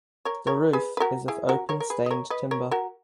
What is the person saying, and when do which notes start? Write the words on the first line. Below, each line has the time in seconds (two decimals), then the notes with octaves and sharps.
The roof is of open stained timber.
0.25 A#4 C#5
0.47 A#4 C#5
0.73 G#4 B4
0.97 B4
1.00 F#4 A#4
1.28 E4 G#4
1.49 F#4 A#4
1.69 A#4 C#5
1.80 A#4
1.90 G#4 B4
2.06 D#5
2.11 A#4 C#5
2.30 B4 D#5
2.51 A#4 C#5
2.71 F#4 A#4